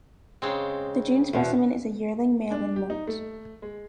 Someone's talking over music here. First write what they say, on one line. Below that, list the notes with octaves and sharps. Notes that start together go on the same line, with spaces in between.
The June specimen is a yearling male in moult.
C#3 G#3 C4
E2 B2
D4
G4
D#4
A3
G#3